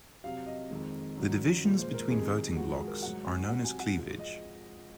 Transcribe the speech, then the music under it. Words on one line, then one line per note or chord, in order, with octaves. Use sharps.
The divisions between voting blocs are known as cleavage.
C3 F#3 F5
D#5
F2 D#3 G#3
F#2 D#3 F#3
A#2 F3 G#3
C5
A#4
F2 C3 D#3 G#3 G#4
G#2 F3 G#3 F#4
G#4
A#4
G#2 F#3 F#5
G#5
C3 F#3 F#5
G#5
F#5
G#2 F3 G#3
D#5